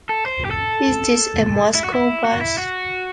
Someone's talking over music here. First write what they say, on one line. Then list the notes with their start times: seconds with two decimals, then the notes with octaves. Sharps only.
Is this a Moscow bus?
0.09 A4
0.26 C5
0.45 G4
0.51 A4
1.75 E4
1.84 F#4
1.94 E4
2.25 F#4
2.41 E4
2.58 F#4